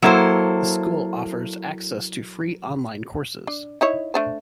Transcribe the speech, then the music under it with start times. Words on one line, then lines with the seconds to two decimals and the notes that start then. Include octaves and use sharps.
The School also offers access to free online courses.
0.02 F#3 A#3 E4 A4 C5
3.47 D4
3.81 D#4 E4 C#5
4.14 A3 D4 C5